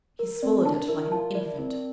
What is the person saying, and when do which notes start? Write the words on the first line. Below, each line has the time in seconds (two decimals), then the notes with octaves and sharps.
He swallowed it like an infant.
0.19 A#4
0.42 C4 D5
0.65 D4 A5
0.88 E4 A#4
1.12 F4 A5
1.35 E4 D5
1.58 C4 D5